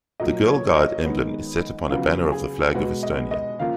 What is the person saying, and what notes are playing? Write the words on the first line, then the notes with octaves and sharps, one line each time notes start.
The Girl Guide emblem is set upon a banner of the flag of Estonia.
A#2 F#3 A#3 D#5
C#5
D#5
D#3 G#3 B3
C#3 F#3 B3 F4 F5
G#4 G#5
B2 G#3 B3 F#4 F#5
D#5
D#5
C#3 F3 A#3 F4 F5